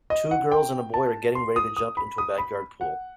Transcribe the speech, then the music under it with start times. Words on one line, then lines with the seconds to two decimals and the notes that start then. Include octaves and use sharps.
Two girls and a boy are getting ready to jump into a backyard pool.
0.10 D#5
0.31 F#5
0.52 G5
0.94 A5
1.35 C6
1.56 D#6
1.77 D#6
1.97 B5
2.18 D#6
2.38 B5
2.81 F#5